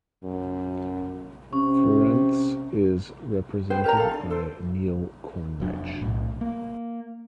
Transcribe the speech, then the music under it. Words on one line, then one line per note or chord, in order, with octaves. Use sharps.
Ferentz is represented by Neil Cornrich.
F#2
C3 C#4
G#4 B4 C5 G5
G4 A#4 C#5 A#5
A4 F5
D4 F4 G#4
A4 C5
F1 F#3 C#4 D4
B1 A2
A#3